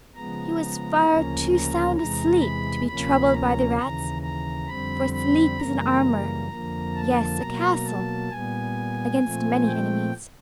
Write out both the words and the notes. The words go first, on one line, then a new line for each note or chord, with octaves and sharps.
He was far too sound asleep to be troubled by the rats; for sleep is an armour--yes, a castle--against many enemies.
C#3 F3 G#3 B3 A#5
D2 C#3 F3 A#3 C#4
A#5
E2 C3 E3 G#3 A#5
B5
D2 C3 F3 A#3 C#4 B5
A#5
D#2 C#3 E3 A#5
A#5
F2 D3 G3 C4 B5
B5
F#2 C#3 E3 G3 A#3 A#5
F2 D3 F3 A#3
A5
B2 F#3 A#3 A#5
A5
A#2 G3 B3 G#5
A#2 F3 A3 C4
G5